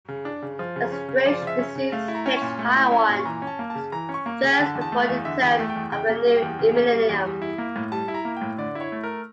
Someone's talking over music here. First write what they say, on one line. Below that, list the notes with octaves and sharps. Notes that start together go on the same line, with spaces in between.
A strange disease hits Taiwan just before the turn of the new millennium.
C#3
D4
C#3
F3
C#3
C#4
C#3
F3 D5
C#3
E5
C#4
C#3
A3 F5
E4
A#5
C#4
C#6
A#2
A3
E4
C#4
A#2
C#6
E3 A#5
C#4
A5
A#3
A5
C#3
E3 A#5
C#4
C#6
A#3
C#3
G5
D3 A5
E2
A5
A3
F5
E2
D3 E5
E2
G5
A3
G5
E2
C#3 G5
A#3
G3
G5
E2
C#3
A#3
G3
E2
G3
E4
A#3
A2
G3 A5
E4
A#5
A#3
A2 G5
D3 D5
E4
C#5
A3
A#4